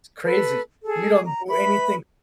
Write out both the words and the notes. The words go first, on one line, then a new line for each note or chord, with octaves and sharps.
It's crazy. We don't do anything
A4 B4
G#4 A4
A#5
B4 E5 B5